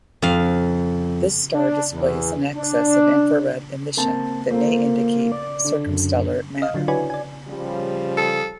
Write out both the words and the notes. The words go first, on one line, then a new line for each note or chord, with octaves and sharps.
This star displays an excess of infrared emission that may indicate circumstellar matter.
F2 F5
D4
E2
D4
A#3 C4 A5
A#3 F4 A4 C5
D5
D3
F#2
D#5 F5
D3 F#3 D4 F4
E4 F#4 B4 C#5 D5 G#5
D5 G#5
C#3 F3 G3
A4